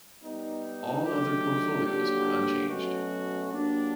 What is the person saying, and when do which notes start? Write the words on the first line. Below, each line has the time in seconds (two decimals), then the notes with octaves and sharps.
All other portfolios were unchanged.
0.22 G3 B3 D#4
1.04 D#3 F#3 A3 D4 G4
1.85 D3 F#3 A#3 D4 G4
2.68 B2 F#3 A3 C#4 F#4
3.50 F#3 A#3 D4 G4